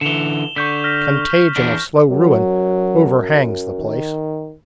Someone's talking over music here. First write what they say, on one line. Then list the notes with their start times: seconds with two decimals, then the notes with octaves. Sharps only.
Contagion of slow ruin overhangs the place.
0.01 D3 E3 E7 F7 G7
0.56 D3 C#6 G6 B6
0.84 F6 A#6 B6
1.56 E2 B3 D4
2.11 F#2 F#3
3.78 D#3